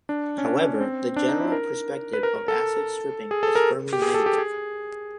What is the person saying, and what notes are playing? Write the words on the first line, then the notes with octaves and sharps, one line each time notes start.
However, the general perspective of asset stripping is firmly negative.
D4
C#4
D4
C4
D4
D#4
E4
A#4
B4
A#4
A#4
A4
G#4
A4
A#4
G4
G#4
A4
G4
G#4